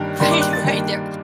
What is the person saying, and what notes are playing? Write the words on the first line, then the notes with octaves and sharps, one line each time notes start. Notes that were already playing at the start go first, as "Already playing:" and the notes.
Right, right. Their
Already playing: G2 D#3 G3 A#3
G2 D#3 G3 A#3 C6
D6
F#6
A6
G2 D#3 G3 A#3